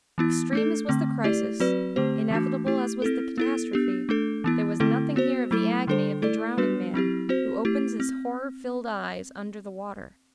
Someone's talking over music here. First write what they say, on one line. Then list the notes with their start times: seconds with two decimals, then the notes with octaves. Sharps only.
Extreme as was the crisis, inevitable as was the catastrophe, there was nothing here of the agony of the drowning man, who opens his horror-filled eyes under the water.
0.18 E3 B3 E4
0.53 A3 D4 A4
0.89 D3 A3 C4
1.24 A3 E4 G4 D5
1.60 F#3 C4 F#4 B4 D5
1.96 D3 A3 C4 G4 C5
2.31 E3 A3 D4 F#4
2.67 A3 E4 G4
3.02 C4 E4 A4
3.38 B3 E4 A4
3.73 B3 D4 G4
4.09 A3 D4 A4
4.44 E3 B3 E4
4.80 D3 A3 C4 E4 A4
5.16 B3 F#4 C5
5.51 F#3 A3 E4 A4
5.87 D3 G3 D4 A4 C5
6.22 A3 E4 A4 D5
6.58 G3 B3 D4 F#4 B4
6.94 F#3 C4 E4 G4
7.29 C4 F#4 C5
7.65 A3 E4 G4
8.00 C4